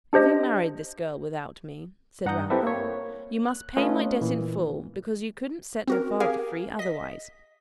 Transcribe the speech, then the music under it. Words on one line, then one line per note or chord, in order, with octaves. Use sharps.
'If you married this girl without me,' said Ralph, 'you must pay my debt in full, because you couldn't set her father free otherwise.
D4 G4 C5 D#5
G2 F#5 A#5 D#6 G6
C4 E4 G4 A4 B4 E5
A#3 C#5
F#6
A3 C#4 F4 B4 D#5
A#2 E3
C4 F#4 A#4
G4 G#4 A#4 F5 G#5
D#5 B6